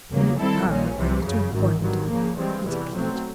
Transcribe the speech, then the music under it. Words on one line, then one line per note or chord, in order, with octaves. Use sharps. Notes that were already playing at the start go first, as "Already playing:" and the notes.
"You are a little wonder," he declared.
E2 C#3 F#3 A#3
D#3 G3 C4 E4 A4
A#1 A#2 G3 A#3 C#4
C2 C3 E3 G3
F#2 C#3 F#3
G#1 F#2 D#3
G#1 G2 D#3 F#3
C#3 F3 A#3
G2 E3 G#3 C4
E2 C3 E3 G3
B1 B2 F#3 A3 C4